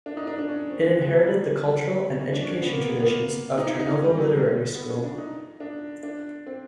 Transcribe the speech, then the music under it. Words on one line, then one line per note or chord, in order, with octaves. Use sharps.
It inherited the cultural and education traditions of Turnovo Literary School.
D4
D#4
D4
D4
C#4
C4
C4
G#3
F#3
G3
C#4
D4
C#4
B3
A#3
B3
B3
A#3
D#4
D#4
D#4
C#4
G3
F#3
G#3
B3
C#4
D4
D#4
D4
D4
C4